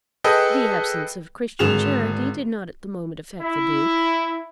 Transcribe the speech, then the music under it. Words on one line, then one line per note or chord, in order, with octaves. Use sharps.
The absence of Christian charity did not at the moment affect the Duke.
G#4 A4 B4 D#5 G5
G#1 D3 G#4 E7 F7
E4